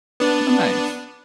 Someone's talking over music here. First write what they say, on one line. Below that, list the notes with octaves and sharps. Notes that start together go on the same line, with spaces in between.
Oh nice.
B3 D4